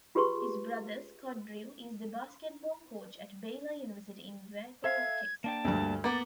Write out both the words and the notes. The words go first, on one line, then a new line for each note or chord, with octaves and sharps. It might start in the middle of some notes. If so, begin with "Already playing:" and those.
His brother, Scott Drew, is the basketball coach at Baylor University in Waco, Texas.
F4 G4 G#4 B4 C6 C#6
A4 E5 F5 G#6
A#3 D4 G5 A5
D2 G2
A#3 B3 D6 A6